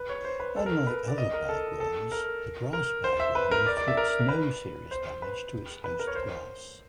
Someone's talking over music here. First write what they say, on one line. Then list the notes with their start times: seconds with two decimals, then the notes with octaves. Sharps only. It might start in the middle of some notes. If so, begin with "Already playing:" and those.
Unlike other bagworms, the grass bagworm inflicts no serious damage to its host grass.
Already playing: B4
0.09 C#5
0.25 C5
0.40 B4
0.56 A4
0.66 A#4
0.87 B4
1.08 D5
1.18 D#5
1.33 A#4
1.49 A4
1.80 A4
2.12 A#4
2.73 A#4
3.04 C5
3.20 E5
3.35 B4
3.51 A#4
3.66 D5
3.77 D5
3.88 E5
3.97 A#4
4.20 A#4
4.29 B4
4.91 C5
5.22 B4
5.84 B4
5.99 A#4
6.07 C#5
6.15 C5